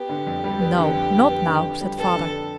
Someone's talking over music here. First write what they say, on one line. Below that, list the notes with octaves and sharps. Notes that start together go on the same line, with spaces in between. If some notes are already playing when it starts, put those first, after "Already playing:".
"No, not now," said Father.
Already playing: B3 G4
D3
F2
G3
B3
D3
F2
G3
B3
D3
F2
G3
B3 A4
D3